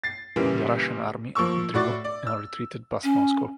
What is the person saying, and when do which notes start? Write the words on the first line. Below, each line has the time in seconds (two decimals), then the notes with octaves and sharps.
The Russian army withdrew and retreated past Moscow.
0.04 A6 C7
0.36 A#2 C#3 E3 G3 A#3
1.35 F3 A#3 C#6 E6
1.74 A2 F#4 D5 C#6 A6
2.05 D5
2.27 E6
3.04 C#4